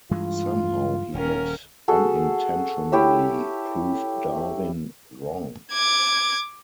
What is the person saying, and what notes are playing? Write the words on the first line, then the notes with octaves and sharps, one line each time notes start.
Somehow he had unintentionally proved Darwin wrong.
G2 E3 G#3 F4
D#1 C#4 A#4
F#4 G#4 A4
E4 G4 C#5 E5
D6 G#6